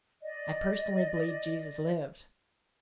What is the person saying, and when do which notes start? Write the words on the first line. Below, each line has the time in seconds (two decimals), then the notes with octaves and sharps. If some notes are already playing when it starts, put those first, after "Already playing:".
I personally believe Jesus lived.
0.22 D5 D#5